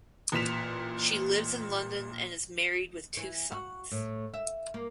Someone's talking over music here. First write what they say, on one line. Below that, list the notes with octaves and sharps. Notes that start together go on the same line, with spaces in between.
She lives in London and is married with two sons.
A1 A#2 B6 E7 F7
E3
F#4
A2
E5
A#3